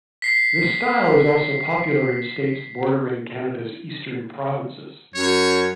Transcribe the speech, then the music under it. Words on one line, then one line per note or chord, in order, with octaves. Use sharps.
This style is also popular in states bordering Canada's Eastern provinces.
B6 C7
F#2 C#5